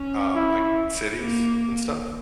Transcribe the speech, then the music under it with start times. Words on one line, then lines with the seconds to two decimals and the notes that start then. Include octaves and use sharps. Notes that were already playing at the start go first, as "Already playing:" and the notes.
um, like, cities and stuff
Already playing: C#4
0.35 E4
1.20 A#3